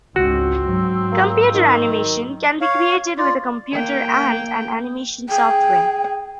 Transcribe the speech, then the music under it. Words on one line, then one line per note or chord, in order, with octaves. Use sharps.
Computer animation can be created with a computer and an animation software.
G#1 C#2 C4 F#4
G#2 F#3
A#3
D#3
C#5 F5
F4 D5
A#3 G5
G#4 G5